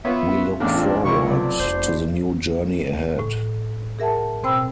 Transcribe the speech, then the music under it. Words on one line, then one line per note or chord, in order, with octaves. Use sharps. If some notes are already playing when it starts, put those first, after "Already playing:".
We look forward to the new journey ahead.
B3 F4 B4 C#5 E5
A1 E2 A2 A#3 C4 D4 D#4 D5
F3
C3 G3 E4 A#4 C5 C#6
F#3 A3 B3 D5
F1 C5
A2
G#4 A#4 E5 F#5 A5
B2 C4 C5 G5 B5 E6